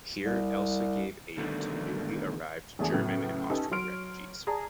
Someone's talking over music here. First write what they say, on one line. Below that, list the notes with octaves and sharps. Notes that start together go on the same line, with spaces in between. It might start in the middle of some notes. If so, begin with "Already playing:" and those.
Here Elsa gave aid to newly arrived German and Austrian refugees.
C2
B2 D3 D#3 G3 A3
G#1 E2 A3 D4 G#4 G#5
A2 C#3 F#3 B3
C#4 D#4 G4 A4 B4
F#3 C#5 C6 F6 D7
G#4 D5 A5 A#5